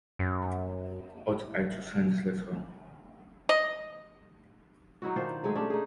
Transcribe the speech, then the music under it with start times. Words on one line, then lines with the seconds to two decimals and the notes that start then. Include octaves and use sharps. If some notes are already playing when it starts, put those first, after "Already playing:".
Ought I to send this letter?
0.19 F#2
3.49 D#5
5.02 F#3 D#4 E4 F#4
5.16 D#3 D4 F4 C5
5.43 F#3 G#3 A3 G#4
5.55 A3 C#4 D4 G4
5.70 D#4 G#4